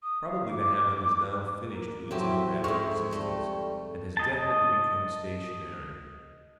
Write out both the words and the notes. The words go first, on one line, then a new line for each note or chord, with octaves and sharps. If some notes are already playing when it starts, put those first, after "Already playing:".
Probably the hamlet has now finished with its nomadic existence, and has definitely become stationary.
D#6
F5
D6
A#4
A2 F#3 C4 G4 E5
F2 G#2 E5 C#6
G3 A3
D#5 A5